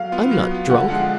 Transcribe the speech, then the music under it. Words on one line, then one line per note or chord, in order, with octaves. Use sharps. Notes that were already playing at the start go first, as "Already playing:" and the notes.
I'm not drunk.
Already playing: F#3 F5
B3 F4
F#3
B3 F4
D3 F#5
F3 G#3 D4 F4 F#5